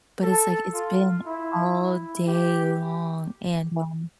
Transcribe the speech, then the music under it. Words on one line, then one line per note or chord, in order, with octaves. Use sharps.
but it's like it's been all day long and, um
A4
F4
E4
E4
G4